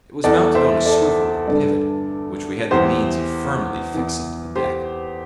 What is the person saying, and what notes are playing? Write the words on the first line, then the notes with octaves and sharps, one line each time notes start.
It was mounted on a swivel or pivot, which we had the means of firmly fixing to the deck.
E2 E3 A4 D5
C5 E5
A4 D5
G2 D3 A4 D5
E2 E3 G4 C5
E2 E3
G4 C5